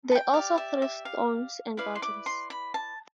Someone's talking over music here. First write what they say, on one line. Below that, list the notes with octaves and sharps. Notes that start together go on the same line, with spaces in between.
They also threw stones and bottles.
A5
G5
G4 D5 F5
E5
E5
F5
E4 B4 D5 F5
C6
D6
C6
B5
A5